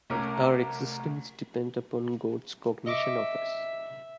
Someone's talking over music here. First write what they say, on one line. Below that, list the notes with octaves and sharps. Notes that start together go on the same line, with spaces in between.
Our existence depends upon God's cognition of us.
C2 A3 C#4 A#4 D6
D#5 E5 C#6 D6